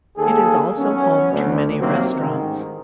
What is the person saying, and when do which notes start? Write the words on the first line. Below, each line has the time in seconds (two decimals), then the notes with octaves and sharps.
It is also home to many restaurants.
0.17 D#2 A#3 G#4 A4
0.78 F#3 B3 C#4
1.32 D2
1.79 C3 D#3 F#3 A#3 C4
2.18 A1 G#2 D#3